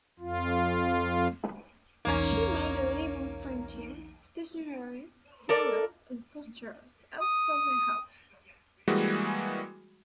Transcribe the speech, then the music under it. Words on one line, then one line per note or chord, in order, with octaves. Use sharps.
She made a living printing stationery, fliers, and posters out of her house.
F2 F4
B1 E2 A#3 C#4 D#4
A4 A#4 D5
D#6
E3 G3 G#3 A#3 F#4 G#4